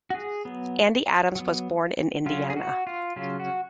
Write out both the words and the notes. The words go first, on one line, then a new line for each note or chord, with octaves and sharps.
Andy Adams was born in Indiana.
F#4
G#4
F#3 B3
F#3 B3
C#3 F#3 C#4 F4
G#4
F#4
F4
C#3 F#3 C#4 F4
F#4